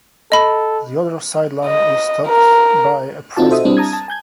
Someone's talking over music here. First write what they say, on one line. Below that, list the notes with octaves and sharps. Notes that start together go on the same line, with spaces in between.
The other sideline is topped by a press box.
A4 D#5 B5
D#5
A#4
C4 D#4 F4 F#4 A5
F#4 A4 C5 D#5 E5 D#6
G3 C4 D4 E4
A5 A#5 D#6 G#6
A5
G#5 G6 G#6